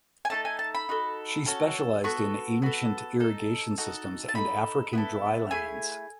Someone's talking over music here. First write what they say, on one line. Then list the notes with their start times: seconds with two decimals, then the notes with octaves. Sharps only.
She specialised in ancient irrigation systems and African drylands.
0.25 G#5
0.30 A3 D#4 A4 A5
0.45 G#5
0.59 A5
0.75 B5
0.89 D#4 F#4 A4
1.46 C#4 F#4 A4
2.04 B3 F#4 A4 C#6
2.62 B3 F#4 A4
3.20 D#4 A4
3.78 D#4 F#4 A4
4.29 A5
4.35 D#4 A4 B5
4.93 B3 E4 A4
5.51 A3 E4 G#4 G#5